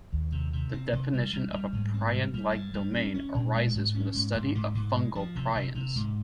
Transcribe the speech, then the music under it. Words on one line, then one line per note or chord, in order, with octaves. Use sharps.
The definition of a prion-like domain arises from the study of fungal prions.
D#2
C3
C3
C4
C3
G3
G3
G3
G#2
C4
G3
G3
G2
G3
C#4
C#4
A#2
G#3
G#2
C#4
G#2
G#2
G#2
G#2
G#3
F3
C3
C3
C3
G#2